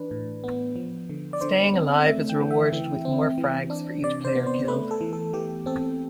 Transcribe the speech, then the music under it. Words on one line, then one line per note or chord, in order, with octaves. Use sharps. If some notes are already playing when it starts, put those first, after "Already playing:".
Staying alive is rewarded with more frags for each player killed.
Already playing: E3 D4 B4
A2
B3
F3
D3
D5
D3 C5
C4
A3 E5
G5
E3
E5
E3
C4
E3
D4
C3 D5
C5
B3
C5
A3 B4
A4
E3
A4
E3 G4
C4 A4